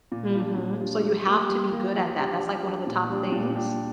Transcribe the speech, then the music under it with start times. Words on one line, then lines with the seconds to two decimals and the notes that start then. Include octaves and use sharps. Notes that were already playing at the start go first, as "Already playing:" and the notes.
Mhm. So, you have to be good at that, that's like one of the top things.
0.12 A#2
0.35 G3 D4 F4
0.57 A#2
0.80 G3 D4 F4
1.03 G3
1.27 A#3 G4
1.49 G3
1.72 A#3 G4
1.95 F3
2.18 D4 G4
2.41 F3
2.63 D4 G4
2.87 A#2
3.09 G3 D4 G4
3.32 A#2
3.55 G3 D4 G4